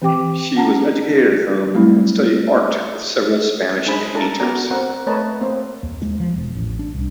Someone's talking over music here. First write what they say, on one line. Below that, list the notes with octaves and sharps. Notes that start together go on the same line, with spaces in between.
She was educated at home and studied art with several Spanish painters.
E3 C4 G4 G5 D6
C#4 F#5 A5 A#5
F#3 G3 A3 C4 E4
G#3 D4 D#4 G#4 C5 B5
D4 E4 A4 A#4 A5 A#5
B3 F#4 D5 A#5
C4 A#4 D5 F#5
A3 A#4 B4 C#5 D#5 A5
A#3 C4 C5
D#2
G#3
F3
E1
A1
D4
C2